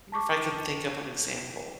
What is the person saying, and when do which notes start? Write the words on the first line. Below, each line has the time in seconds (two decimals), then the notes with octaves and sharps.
Wonder if I can think of an example.
0.12 A5 C#6 D6